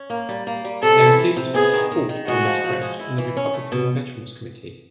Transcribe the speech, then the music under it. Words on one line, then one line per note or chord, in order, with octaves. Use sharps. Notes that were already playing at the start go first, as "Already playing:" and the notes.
They received support on this quest from the Republican Veterans Committee.
Already playing: C#4
A#3
G3
A#3
G3
C3 A4
E3
C3
C3
B3 G#4
D#3
D#3
D#3
G#3 F#4
F3
F3
G#3
E4
E3
C#4
A3
B2